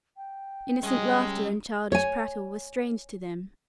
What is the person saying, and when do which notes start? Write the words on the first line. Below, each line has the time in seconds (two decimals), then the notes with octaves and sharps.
Innocent laughter and childish prattle were strange to them.
0.17 G5
0.83 G3 G#3 C#4 D#5
1.92 C#5 G#5